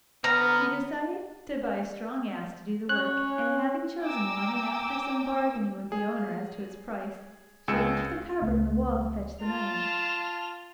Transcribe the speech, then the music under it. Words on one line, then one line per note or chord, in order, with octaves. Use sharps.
She decided to buy a strong ass to do the work, and having chosen one, and after some bargaining with the owner as to its price, she went to the cupboard in the wall to fetch the money.
D3 B3 C5 A#5 F6
C#4 C#5 F#6
G5 G#5 A#5 D6 E6
G#4
C#2 G#4 E6 C#7 E7
C#2 A3
F4 A5 F7